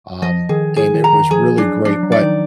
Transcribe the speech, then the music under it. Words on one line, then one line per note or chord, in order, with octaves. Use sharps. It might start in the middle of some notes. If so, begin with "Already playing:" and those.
um, and it was really great, but,
F3 D#5
D#3 G#4
G#4
D#3
A#5
D#3
F3 G#4
F#3 D4
F3 D4
F#3
D5
D#3 D#4